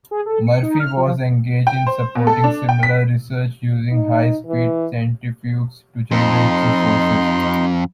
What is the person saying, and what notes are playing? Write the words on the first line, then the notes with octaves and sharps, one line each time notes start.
Murphy was engaged in supporting similar research using high speed centrifuges to generate g-forces.
G#4
A4
C#7
D#4
F6
F3
G5
C5
B2
A4
D4
G5
B6
D#4
E3
F2 D#4 C6